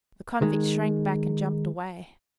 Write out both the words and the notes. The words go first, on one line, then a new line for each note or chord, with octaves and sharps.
The convict shrank back and jumped away.
D#3 G#3